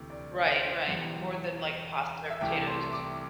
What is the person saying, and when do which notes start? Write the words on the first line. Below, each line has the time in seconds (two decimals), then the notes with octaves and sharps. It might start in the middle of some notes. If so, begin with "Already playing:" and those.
Right, right, more than, like, pasta or potatoes.
Already playing: D2 C3 E3
0.10 D5
0.49 C5
0.70 C5
0.87 E1 E2 E3 G3
2.30 E5
2.41 C2 C3 E3 A3 G5
2.67 C6
2.93 D6